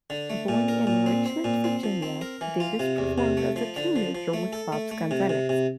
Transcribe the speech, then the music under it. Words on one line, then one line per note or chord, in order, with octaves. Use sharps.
Born in Richmond, Virginia, Davis performed as a teenager with Babs Gonzales.
D3
A3
A#2
A#4
A#2
C4
C4
A#2
C4
F3
C4
A#4
E3
F4
C3
E2
C3
A3
F3
D3
F3
F3
A3
A4
A3
A3
C3
C3
C3